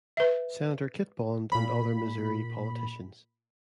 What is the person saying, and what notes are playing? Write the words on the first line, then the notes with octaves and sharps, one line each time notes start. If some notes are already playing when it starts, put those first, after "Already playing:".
Senator Kit Bond and other Missouri politicians.
B4 E5
A#2 B5